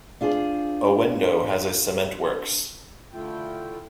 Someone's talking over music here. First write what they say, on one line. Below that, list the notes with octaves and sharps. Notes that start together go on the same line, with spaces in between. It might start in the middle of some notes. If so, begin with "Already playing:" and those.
Owendo has a cement works.
D4 F4 G#4 C5
D3 A3 E4 F4 G5